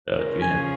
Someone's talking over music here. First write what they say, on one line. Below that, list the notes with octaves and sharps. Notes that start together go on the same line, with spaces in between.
Uh, do you have
C#3 F3 C#4 F4 G#4 A#4
G#5